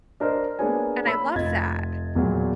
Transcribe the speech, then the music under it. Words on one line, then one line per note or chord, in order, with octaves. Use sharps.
And I love that.
D4 A#4 C5 D#5
A#3 B3 D4 G#4 C#5 G#5
A#3 C#5 B5 E6 B6
F1 F4 D#5 G#6 A6
E1 A#2 F#3